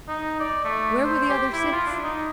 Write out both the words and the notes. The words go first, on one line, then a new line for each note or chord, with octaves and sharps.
Where were the other six?
D#4
D5
A3
C5
G4
E4
F4
D4
D#4